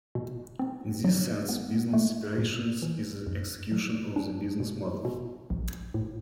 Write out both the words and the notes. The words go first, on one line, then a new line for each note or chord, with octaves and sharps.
In this sense, business operations is the execution of the business model.
B2
C4
F#3
B3
A3
A2
E3
F#2
F#3
D4
B2
B2
A#1
A2